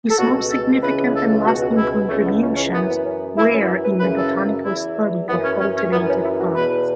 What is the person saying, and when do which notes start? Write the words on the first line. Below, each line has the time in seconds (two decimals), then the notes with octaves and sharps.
His most significant and lasting contributions were in the botanical study of cultivated plants.
0.10 A4
0.18 C#2 B2 F#4
0.50 A4
0.81 C#2 C#3 E3 B4
1.14 A4
1.45 C#2 B2 F#4
1.62 F#4
1.77 E4
2.09 C#2 C#3 E3 A3
2.25 B3
2.41 C#4
2.57 C#4
2.72 F#2 E3 B3
2.89 B3
3.04 C#4
3.37 F#2 E3 E4
3.52 C#4
3.68 F#4
3.84 B4
4.00 F#2 C#3 E3 B4
4.16 A4
4.63 E2 E3 E4
5.27 E3 B3
5.31 F#2
5.43 C#4
5.59 C#4
5.76 C#4
5.91 F#2 E3 B3
6.07 C#4
6.23 E4
6.39 F#4
6.55 E2 B2 B4